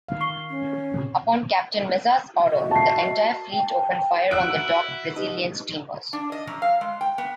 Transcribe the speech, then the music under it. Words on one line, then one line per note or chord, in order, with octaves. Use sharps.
Upon Captain Meza's order, the entire fleet opened fire on the docked Brazilian steamers.
D#3 F5
C#6 C7 G7
C#4
A#2 C#3 C4
F#4 D#5 E5
A5 C7
G5
E4 F#4 E6 F#6 D7
D#4 G4 B4 D#5
D4
D#5
F#2
F5
G#3
G5
B3